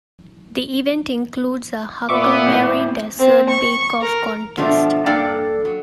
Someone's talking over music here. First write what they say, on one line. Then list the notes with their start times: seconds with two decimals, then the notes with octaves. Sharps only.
The event includes a huckleberry dessert bake-off contest.
2.09 A#2 B3 E5 C#6 D6
2.46 A2 C4
3.18 C4
3.49 C#6
4.01 A#4
4.57 B2 F3 A3 D4
5.06 G2 A#3 D4 A4 D5 G5
5.65 F#3